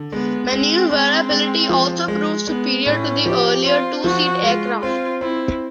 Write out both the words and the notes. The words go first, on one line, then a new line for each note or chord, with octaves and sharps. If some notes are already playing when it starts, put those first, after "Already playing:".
Maneuverability also proved superior to the earlier two-seat aircraft.
Already playing: D3
G#3 B3
G#3 C4
G#3
G#3
F3
G#3
G#3 B3
A2 C#4
F3 G4
C4 F4
F3 F#4
G#3 F4
C4 F4
C4 E4